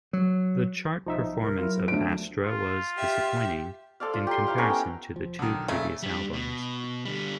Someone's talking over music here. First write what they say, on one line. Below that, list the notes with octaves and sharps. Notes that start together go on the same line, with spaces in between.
The chart performance of "Astra" was disappointing, in comparison to the two previous albums.
F#3
B1 F3 D#4 E5
C2 A#4
F#3 E4 F4
D2 F3 D7
F4
G4 E5
A4 C5 D5 F5
F4
G4 A#5 C6
E4 C5 F5 A#5
B3 C#4 A4 A#4
G5
E1 F3
B1 D3 D#3
A#2 C#3 A3
G3 D4
B2
D3 G3